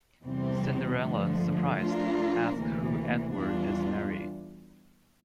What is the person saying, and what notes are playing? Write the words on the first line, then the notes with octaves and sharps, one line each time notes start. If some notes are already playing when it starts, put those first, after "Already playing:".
Cinderella, surprised, asks who Edward is marrying.
E2 C3 E3 G3 C4
G2 D3 F3 A3
F3 A3 D4 F4 A#4
D2 C3 E3 A#3
E2 E3 G3 D4 F4